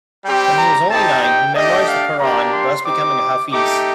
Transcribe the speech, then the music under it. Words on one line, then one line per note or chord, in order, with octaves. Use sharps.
When he was only nine, he memorized the Qur'an, thus becoming a hafiz.
G3 C4 G4 G5
A#5
C4 D#4 G4 A5
G5
A3 D4 G4 D#5
F5
A#3 D4 G4 A#5
C6
C4 D#4 G4 D6
A3 D#4 G4 D6